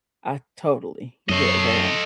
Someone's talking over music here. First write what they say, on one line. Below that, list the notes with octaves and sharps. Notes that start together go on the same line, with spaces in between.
I totally get that.
F#2 A4 D#5 C#6 C7